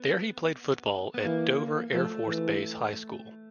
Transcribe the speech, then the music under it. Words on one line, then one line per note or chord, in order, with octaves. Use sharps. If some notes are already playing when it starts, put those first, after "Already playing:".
There he played football at Dover Air Force Base High School.
Already playing: B3
B3
E3 A#3
F3 A3
E3